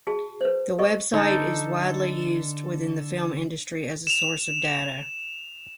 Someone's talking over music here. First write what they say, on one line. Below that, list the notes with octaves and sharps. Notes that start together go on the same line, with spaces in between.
The website is widely used within the film industry as a source of data.
F#4 G#4 A5
B4 C5
A4 D#5 C#6
D3 D#4 A4
E7 F7